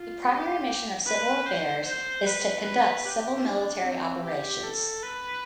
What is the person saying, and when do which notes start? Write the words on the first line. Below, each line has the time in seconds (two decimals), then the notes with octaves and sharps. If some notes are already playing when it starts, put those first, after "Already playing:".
The primary mission of Civil Affairs is to conduct civil-military operations.
Already playing: F4
0.28 G4
1.07 B4
1.46 C5
1.86 C5
2.26 B4
2.66 B4
3.05 G4
3.45 D4
3.84 C4
4.23 G4
4.64 A4
5.03 B4